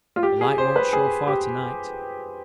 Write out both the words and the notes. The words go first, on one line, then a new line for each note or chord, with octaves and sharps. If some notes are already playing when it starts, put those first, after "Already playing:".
"The light won't show far tonight."
F4
G4
G#4
C5
B4
G#4
G4